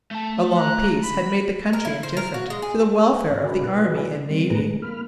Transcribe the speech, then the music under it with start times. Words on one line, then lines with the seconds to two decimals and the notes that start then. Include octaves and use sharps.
A long peace had made the country indifferent to the welfare of the Army and Navy.
0.11 A3 A5
0.56 A#5 F#6
1.04 B5
1.73 A#4
1.85 E4
2.03 C5
2.17 A#4
2.34 F#4
2.50 G#3
2.62 G#4
3.05 A#3 C4 G#4 A#4 B4
3.24 G#1 F#2
3.43 D4 F#4 G#4 A#4 D5 B5
3.61 B1 A#2 B3 F#6
3.82 F3 F#3 B3 F4
3.95 E4 F#4 G#4 A4 B4 D5
4.30 G3 C4
4.50 A2 A3 B3 G#4 B4 A#5
4.65 G#3
4.82 A#3 B5 F6